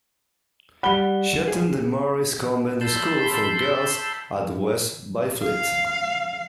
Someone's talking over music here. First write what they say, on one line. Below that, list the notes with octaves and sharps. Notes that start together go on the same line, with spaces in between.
She attended the Marist Convent School for Girls at West Byfleet.
G3 F#5 B5 G7
G#4
A5 B5 C6 E6 G6
F5